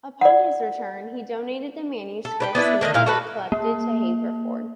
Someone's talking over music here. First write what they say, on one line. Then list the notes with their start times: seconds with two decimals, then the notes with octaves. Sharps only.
Upon his return, he donated the manuscripts he had collected to Haverford.
0.21 D5 F#5
2.25 A4
2.40 B4 C#5 G5
2.55 B3 D4 E4 B4
2.81 D3 D#3 D4 D#5
2.94 A#2 E4 F5
3.06 F#4 A4 B4
3.52 A#3